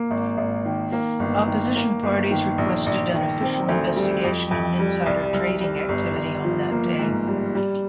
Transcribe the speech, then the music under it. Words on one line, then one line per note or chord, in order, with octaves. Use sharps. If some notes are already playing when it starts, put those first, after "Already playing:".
Opposition parties requested an official investigation on insider trading activity on that day.
Already playing: A#3
G#1
G#1
D#3
A#3
G1
D#3
A#3
G1
D#3
A#1
A#1
D#3
C4
D2
G3
F2
F2
G3
C2
C2
G3
G1
G1
F3
A#3
G#2
G3
G3